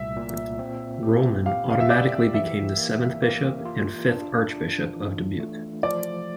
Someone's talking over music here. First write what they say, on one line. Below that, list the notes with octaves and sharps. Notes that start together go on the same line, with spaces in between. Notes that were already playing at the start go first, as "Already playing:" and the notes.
Rohlman automatically became the seventh bishop and fifth archbishop of Dubuque.
Already playing: C2 A#2 A3 E5
A#2
C4
G4
G4 F5
F5
E5
G4 D5
E3 E5
A#3
A#3
F4
D4
D4
E3
A3
F3 D5